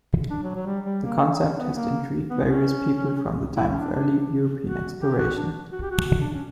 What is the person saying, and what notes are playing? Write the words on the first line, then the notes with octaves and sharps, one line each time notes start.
The concept has intrigued various people from the time of early European exploration.
D4
F#3
F#3
G3
G3
A#3
C#4
B3
A#3
B3
C#4
E4
C#4
D4
D4
F#4
G4
F#4
D4
F#4
G4
F#4
F#4
D4
C#4